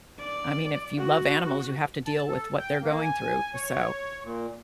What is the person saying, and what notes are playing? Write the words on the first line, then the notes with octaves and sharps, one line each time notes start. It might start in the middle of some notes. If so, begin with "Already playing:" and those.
I mean, if you love animals, you have to deal with what they’re going through, so,
D5
F#4
A5
A4
G5
A#3
G#5
C#5
A#2